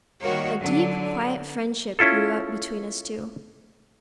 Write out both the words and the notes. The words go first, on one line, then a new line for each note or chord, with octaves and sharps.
A deep, quiet friendship grew up between us two.
D#3 G3 A#3 F#4 A#4 C#5
D3 F#3
C#4 E4 F4 A4